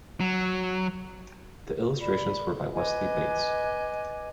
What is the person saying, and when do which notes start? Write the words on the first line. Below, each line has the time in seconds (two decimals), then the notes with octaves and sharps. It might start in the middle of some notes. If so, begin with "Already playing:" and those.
The illustrations were by Wesley Bates.
0.20 F#3
2.00 D5 B5
2.74 B4 D#5 G#5 D6